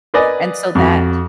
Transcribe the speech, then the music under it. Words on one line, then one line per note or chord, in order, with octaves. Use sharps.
and so that
A#4 B4 D5 D#5 G#5
F2 F#4